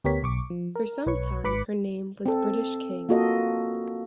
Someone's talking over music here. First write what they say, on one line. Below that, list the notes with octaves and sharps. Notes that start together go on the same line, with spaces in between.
For some time her name was "British King".
D2 B3 G4 A#4 C#5 B6
B1 C#6 D6
F3
A#4
B1 B4 C#5 C#6
G#1 G#2 B4 B5 D6 C#7
C4 A4
A#3 F4 F#4 A4 D#5